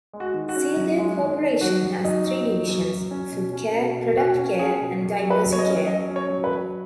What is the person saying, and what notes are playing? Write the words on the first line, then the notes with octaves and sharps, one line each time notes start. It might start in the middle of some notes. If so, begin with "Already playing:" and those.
Sealed Air Corporation has three divisions: Food Care, Product Care, and Diversey Care.
G#3
F#4
D#3
F#4
C#4
F#2
G#3
D#3
D#3
F#2 F#4
F#2
F#2 D#4
F#3
F#3
F#2
F#3
C#4
B2
C#4
B2
B2
B2 F#4
C#4
C#4 G#4
B2
F#2
F#3
B4
F#2
C#5
D#5
C#4
F#3 D#5
C#4
C#5
F#3
B4
F#3